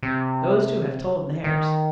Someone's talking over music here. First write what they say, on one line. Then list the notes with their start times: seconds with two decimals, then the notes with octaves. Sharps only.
"Those two have told theirs."
0.03 C3
1.44 D#3